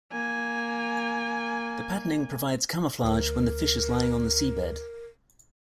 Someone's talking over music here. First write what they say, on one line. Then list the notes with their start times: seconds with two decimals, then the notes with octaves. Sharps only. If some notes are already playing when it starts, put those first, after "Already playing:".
The patterning provides camouflage when the fish is lying on the seabed.
0.13 A#3 G#5
3.03 D2 A#4